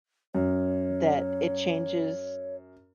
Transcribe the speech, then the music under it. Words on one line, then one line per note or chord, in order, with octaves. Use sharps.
that it changes
F#2 C#5